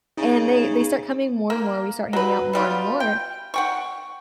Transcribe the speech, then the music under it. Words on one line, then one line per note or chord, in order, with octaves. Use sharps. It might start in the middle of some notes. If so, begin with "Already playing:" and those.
and they they start coming more and more, we start hanging out more and more,
C#3 D#4
A#3
F#3 B4
B2 G3 F4
G5
F#5 G5 C#6